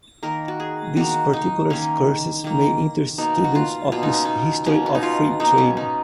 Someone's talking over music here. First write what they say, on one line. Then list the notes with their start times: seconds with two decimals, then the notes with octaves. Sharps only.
These particular curses may interest students of the history of free trade.
0.23 D#3 A#3 A#4
0.48 F#4
0.60 G#4
0.97 D#3 A#3 F#4
1.33 D#4
1.70 D#3 A#3 C#4
2.44 D#3 A#3
3.18 B2 A#3 D#4
3.44 F#4
3.55 F4
3.92 B2 A#3 F4
4.03 D#4
4.14 C#4
4.25 D#4
4.66 B2 A#3 C#4
4.86 C#4
4.95 D#4
5.03 F4
5.40 B2 A#3 D#4
5.58 C#4
5.77 D#4